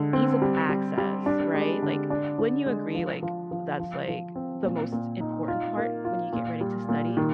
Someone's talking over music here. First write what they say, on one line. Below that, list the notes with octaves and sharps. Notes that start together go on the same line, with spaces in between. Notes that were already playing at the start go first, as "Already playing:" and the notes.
ease of access, right? Like, wouldn't you agree, like, that's, like, the most important part when you get ready to study?
Already playing: D3 G#3
C4
G3
G3
G3
D4
G#3
D3
D4
D4
G#3
F3
F3
F3
F3
F3
C4
A#2
A#2
D#4
F4
A#3
F4
A#2
G3
A#2
D#3